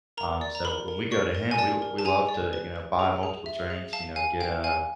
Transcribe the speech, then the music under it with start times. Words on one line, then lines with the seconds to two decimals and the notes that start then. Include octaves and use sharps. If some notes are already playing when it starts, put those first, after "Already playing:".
um, so when we go to him, we we love to, you know, buy multiple drinks, you know, get a
0.17 A#4 A#5
0.41 D5
0.55 A#5
0.64 A#4 B5
0.88 A#4
1.11 D5 C#6
1.35 A#4
1.51 G#5
1.58 D5 A5
1.82 A#4
1.99 A5
2.05 G#4 G#5
2.29 D5
2.53 B4
2.76 B4
2.99 G#4
3.23 G#4
3.46 E5
3.70 G#4
3.93 F5 A5
4.16 F5 G#5
4.40 F5 G5
4.64 F5 G#5